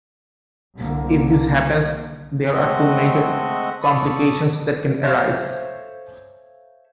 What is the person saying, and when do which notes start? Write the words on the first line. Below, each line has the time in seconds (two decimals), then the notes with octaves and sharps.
If this happens, there are two major complications that can arise.
0.74 C2 D3 A#3
2.54 G#3 A3 C4 D#5 E5 F#5
3.83 A4 D5 B5 C#6 D#6
5.04 A4 C5 C#5 E5 F5